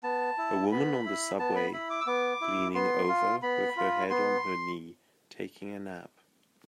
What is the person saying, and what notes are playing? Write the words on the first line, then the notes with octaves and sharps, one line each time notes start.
A woman on the subway, leaning over with her head on her knee taking a nap.
B3 A5
E4
B3 B5
E4
B3 A5
B5
E4 B5
D6
E6
B3 D6
E4
B3 C6
F4
B3 B5
F4
B3 C6